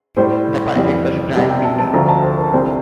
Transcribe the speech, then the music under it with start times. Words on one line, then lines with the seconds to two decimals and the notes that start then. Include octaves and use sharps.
The pilot was Brian Binnie.
0.16 A2 G3 C5
0.76 F2 E3 G3
1.35 C2 C3 G3
1.50 G5
1.64 A5
1.79 A5
1.94 D2 D3 F3 A#5
2.09 A5
2.23 C5
2.38 A#4
2.53 C2 C3 G3 C5